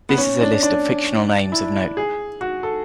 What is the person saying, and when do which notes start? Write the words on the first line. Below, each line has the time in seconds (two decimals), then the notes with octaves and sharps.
This is a list of fictional names of note.
0.09 B3
0.18 C#4
0.41 D4
0.63 D4
1.52 E4
1.97 G#4
2.41 F#4
2.63 A4